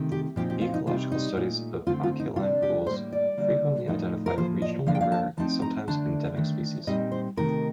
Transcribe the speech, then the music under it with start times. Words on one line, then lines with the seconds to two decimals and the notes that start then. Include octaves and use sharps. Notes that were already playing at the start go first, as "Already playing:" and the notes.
Ecological studies of anchialine pools frequently identify regionally rare and sometimes endemic species.
Already playing: C3 D#3 A3
0.12 G4
0.36 A#2 F3 C4 D#4 G4
0.50 G4
0.61 F4
0.74 D#4
0.87 C3 G3 C4 D#4 F4
1.12 D#4
1.37 A#2 A3 D#4
1.87 D3 A3 C4 F4
2.03 F4
2.19 D#4
2.36 C3 G3 D4 F4
2.62 G4
2.87 A2 G3 A#3 C5
3.12 D5
3.37 D3 G3 A#3
3.87 A2 F3 A3 D#4
4.26 A#4
4.37 A2 F3 A#3 C5
4.62 D#5
4.86 F3 A#3 D4 F5
4.95 G5
5.01 F5
5.12 A5
5.37 F3 A3 C4 D#4 A5
5.62 A#5
5.88 D3 A3 D4 A5
6.37 D#3 A3 D4
6.87 A#2 G3 C4 D#4 D#5
7.12 C5
7.37 C3 D#3 A3 D#4 A#4